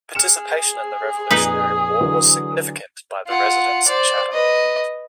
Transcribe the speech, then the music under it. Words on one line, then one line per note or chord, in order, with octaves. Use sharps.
Participation in the Revolutionary War was significant by the residents of Chatham.
G#4 F6 C#7 E7
F2 A#2 D#4 B4 D#6 B6
D3 E3 F#3
F4 F#5
C5 D5
B4 D#5